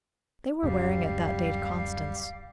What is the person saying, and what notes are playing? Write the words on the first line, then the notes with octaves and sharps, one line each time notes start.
They were wearing it that day to Constance.
D1 F#2 C#3 G3 G4 F5